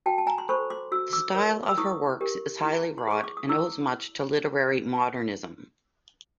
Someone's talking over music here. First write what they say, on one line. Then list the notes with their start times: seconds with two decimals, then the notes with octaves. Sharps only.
The style of her works is highly wrought and owes much to literary modernism.
0.06 F#4 G5 A5
0.18 A5
0.27 G#5 A#5
0.38 C6
0.49 A4 C5 B5 C#6
0.70 C6 D6
0.92 F#4 E6
1.13 D6 E6
1.34 A#4 C#5
1.68 E6
1.78 E4 C#6 D#6
2.21 G4 A#4
2.63 E4
2.98 C6
3.07 G#4 B4 C#6
3.24 D6
3.37 D#6
3.49 E4 D6 E6